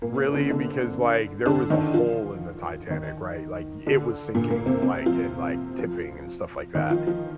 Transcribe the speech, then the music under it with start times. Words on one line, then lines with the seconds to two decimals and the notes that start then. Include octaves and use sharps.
really, because, like, there was a hole in the Titanic, right? Like, it was sinking, like, and, like, tipping and stuff like that.
0.02 A#2 A#3
0.17 C3 C4
0.34 D3 D4
0.50 D3 D4
1.46 D3 D4
1.70 D#3 D#4
1.94 F3 F4
2.90 D#3 D#4
3.87 D3 D4
4.35 A#2 A#3
4.50 A#2 A#3
4.66 C3 C4
4.82 C3 C4
5.06 F3 F4
5.79 F3 F4
6.75 D#3 D#4
6.90 F3 F4
7.07 F3 F4